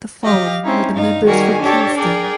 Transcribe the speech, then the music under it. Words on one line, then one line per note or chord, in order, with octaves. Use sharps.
The following were the members for Kingston.
G4 D#5 F5
C4 C#4 D#4 E4
G2 D#4 F5
D#3 G3 F#4 G#4 A#4 G#5
D4 G4 A4 C#5
G#4 A#4 D5 G5